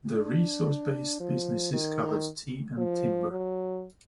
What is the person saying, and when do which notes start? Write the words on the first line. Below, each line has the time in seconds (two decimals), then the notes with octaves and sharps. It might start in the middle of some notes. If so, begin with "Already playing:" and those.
The resource-based businesses covered tea and timber.
0.15 D4
1.20 F3
1.73 D#3
2.78 F3
3.31 F#3